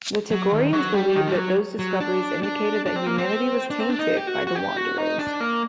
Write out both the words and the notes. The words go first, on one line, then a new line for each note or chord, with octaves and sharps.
The Tagorians believed that those discoveries indicated that humanity was "tainted" by the Wanderers.
F#3
D#3
F#3
G3
D#3
G3
F#3
F#3
D4
D4
D4
C4
A#3
C4
D4
C4
D4
D#4
G4
F#4
F#4
G4
F#4
D#4
D4
A#3